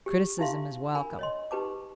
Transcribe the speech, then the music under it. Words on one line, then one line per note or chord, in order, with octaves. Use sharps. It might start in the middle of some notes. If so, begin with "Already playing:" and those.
Criticism is welcome.
G4
D#4 E4 G4 E5 F5 C6
D4 A#4 G#5 B5
C#5 D#5 C6
D#4 G4 B4 A5 D6